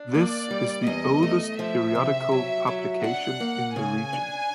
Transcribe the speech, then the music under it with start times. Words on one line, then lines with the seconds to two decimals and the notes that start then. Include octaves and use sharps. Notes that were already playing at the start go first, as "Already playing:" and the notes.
This is the oldest periodical publication in the region.
Already playing: D4
0.14 A#3 D5
0.51 G3
0.86 E2 D#5
1.23 A3
1.59 F3 E5
1.95 C3
2.31 F#3
2.67 F#3
3.04 D4 F#5
3.40 A#3
3.76 C#3 G#5
4.13 D4